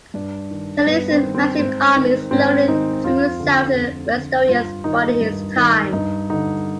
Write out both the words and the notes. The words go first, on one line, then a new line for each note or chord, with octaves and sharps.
He leads his massive army slowly through southern Westeros, biding his time.
G2 D4
D#3
G2 B3
C4
D#3
C4
G#2 C4
D#3
G#2 C4
D#3 D#4
F2 F4
D3
F2
D3
G2 F4
D#3 D#4
G2
D#3
G2 D#4
D3 D#4